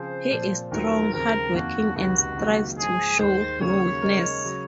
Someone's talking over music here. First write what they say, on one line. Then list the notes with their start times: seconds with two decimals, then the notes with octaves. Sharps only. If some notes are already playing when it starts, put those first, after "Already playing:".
He is strong, hard-working, and strives to show no weakness.
Already playing: C#3 F3 C4 F4 G#4 C5
0.31 A#2 F3 C4
0.71 D#2 D#3 F#3 C4 F4 A#4
1.13 D#2 C#3 F3 C4 A#4
1.54 F2 D#3 A#3 F#4
1.96 C#2 C3 D#3 F#4
2.37 C#2 C3 D#3 F#3 A#3
2.78 G#2 F3 G#3 G#4
3.19 D#2 D#3 G#3 C5
3.61 D#2 C#3 F#3 A#3 C#4 C#5
4.02 C#3 G#3 D#4 A#4
4.45 C#3 F#3